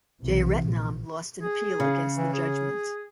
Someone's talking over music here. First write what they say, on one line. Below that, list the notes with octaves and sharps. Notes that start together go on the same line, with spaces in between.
Jeyaretnam lost an appeal against the judgment.
B1 C3 E3
A#1
G#4
C#3
E3
G#4